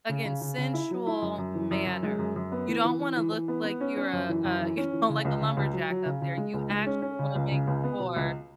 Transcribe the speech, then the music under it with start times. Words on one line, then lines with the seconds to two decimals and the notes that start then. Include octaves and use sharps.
again, sensual manner. You don't wanna look like you're a a you know, like a lumberjack up there you actually wanna make more.
0.09 C#3
0.25 C#3
0.41 C#3
0.58 C#3
0.74 E4
0.91 F#3
1.07 E4
1.22 F#2
1.38 F#2
1.55 E3
1.71 F#2
1.86 F#2
2.03 G#3
2.19 F#2
2.36 F#2
2.52 B3
2.68 E3
2.84 E3
2.99 E3
3.16 E3
3.32 E3
3.48 B3
3.64 B3
3.81 C#4
3.97 C#4
4.13 F#2
4.29 E3
4.44 F#2
4.61 E3
4.77 C#4
4.93 E3
5.09 C#3
5.25 C#2
5.41 C#3
5.57 C#2
5.73 F#3
5.90 F#3
6.05 C#3
6.22 C#3
6.38 G#3
6.54 C#2
6.70 G#3
6.86 C#4
7.02 C#4
7.19 C#3
7.35 C#2
7.51 C#3
7.67 C#2
7.84 B3
7.99 B2
8.16 C#2